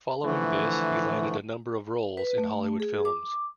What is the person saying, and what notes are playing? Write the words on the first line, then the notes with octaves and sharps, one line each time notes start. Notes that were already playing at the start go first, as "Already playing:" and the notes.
Following this, he landed a number of roles in Hollywood films.
D3 E3 F3 A3
B4
A3
G#4
D6